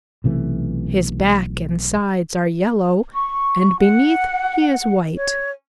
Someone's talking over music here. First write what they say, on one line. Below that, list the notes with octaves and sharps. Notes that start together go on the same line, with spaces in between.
His back and sides are yellow, and beneath he is white.
B1 C3 E3 A3
C#6
F#5
C#5